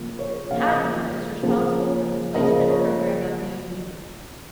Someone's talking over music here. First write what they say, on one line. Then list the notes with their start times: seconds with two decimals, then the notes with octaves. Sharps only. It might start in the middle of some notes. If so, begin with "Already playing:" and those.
Padua is responsible for the placement program at the union.
Already playing: C#3 F3 A#3
0.19 C#5
0.51 C#3 F3 A#3 F5
1.42 C#3 F3 A#3
2.34 C#3 F3 A#3 D#5
2.71 C#5